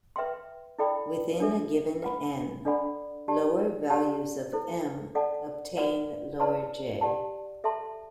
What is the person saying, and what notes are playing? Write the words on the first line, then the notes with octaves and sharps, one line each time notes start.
Within a given "n", lower values of "m" obtain lower "j".
B4 E5 G5 C6
E4 A4 D5 G5 B5
D4 A4 E5
B4 F#5 B5
D4 A4 D5 F#5 B5
G4 D5 A5
G4 D5 F#5 A5
E4 A4 C5
A4 D5 F#5 A5
F#4 B4 D5 F#5
E4 B4 D5 A5 C6
G4 D5 F#5 A5
A4 E5 A5 C6